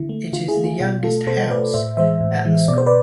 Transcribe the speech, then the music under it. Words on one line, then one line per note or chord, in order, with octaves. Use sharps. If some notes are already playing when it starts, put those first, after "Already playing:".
It is the youngest House at the school.
Already playing: D3 E4
A3
D3 F4
E4 G#4
A3
F4
B2 F4
A3 F4 A4
B2 A4 C5
A3 B4 D5
A2 C5 E5
E3 G#3 C5 E5
A2
E3 G#3
B2 D5
C5
B4 D5